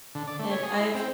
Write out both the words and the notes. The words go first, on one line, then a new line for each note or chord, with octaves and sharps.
and I've
D3
D5
A3
C#5
G#4
E4
C4